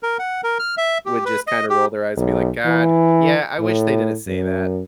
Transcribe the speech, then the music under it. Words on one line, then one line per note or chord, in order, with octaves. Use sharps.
would just kinda roll their eyes and be like, "God. Yeah, I wish they didn't say that,
A#4
F#5
A#4
F6
E5
G4
B4
D#5
G4
B1
E3
A2
F#2